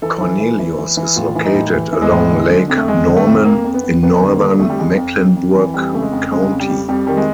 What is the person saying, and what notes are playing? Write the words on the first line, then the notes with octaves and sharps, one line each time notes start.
Cornelius is located along Lake Norman in northern Mecklenburg County.
E3 A4
E3
E3
E3
E3
E3
A2 F4
E3
D#4
A2
E3
E3
G#3
A2
D3
D3
F2
A3
F2 G#3
D3
A3
F2
F2 A#3
F2
B3
F2
F2 B3
D3
A#3
D3
F2 A3
G3
F2 G#3
F2
F2
F2
E3
F2 G3
C#3 A3
G#3
F2
C#3 G#3
F2
G3
F2
F2 G3
D#3 G3
G#3